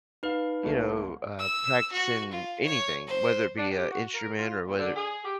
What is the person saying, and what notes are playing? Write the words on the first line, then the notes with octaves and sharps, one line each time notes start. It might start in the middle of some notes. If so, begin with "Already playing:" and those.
you know, uh, practicing anything, whether it be a instrument or whether
D#4 B4 F5 F6
C2 A3 A#3
E6
F#4
F4
C#5
C5
D4
G4
F#4
A#4
F4
A#2
D3
G#4
G4